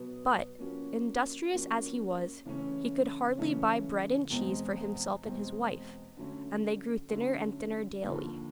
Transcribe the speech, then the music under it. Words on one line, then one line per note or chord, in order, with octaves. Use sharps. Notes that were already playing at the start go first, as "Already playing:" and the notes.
But, industrious as he was, he could hardly buy bread and cheese for himself and his wife, and they grew thinner and thinner daily.
Already playing: B2 F#3 B3
F3 A#3 C#4 F#4
F3 A#3 C#4 F#4
C#3 E3 A3 C#4
C#3 E3 A3 C#4
E2 B2 G#3 C4
E2 B2 G#3 C4
D3 F#3 A3 C#4
D3 F#3 A3 C#4
D#2 D3 F3